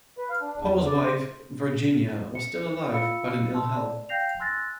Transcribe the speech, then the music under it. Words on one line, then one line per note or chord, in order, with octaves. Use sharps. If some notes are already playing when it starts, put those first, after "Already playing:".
Poe's wife, Virginia, was still alive, but in ill health.
B4
F5
D4
E2
E2
D5
C5
C#7
F4 F5 B5 E6 C#7
A5 C6 E6
D5
F5 G5 G6 A#6 C7 F7
G#5 C6 E6 F#6 A6 A#6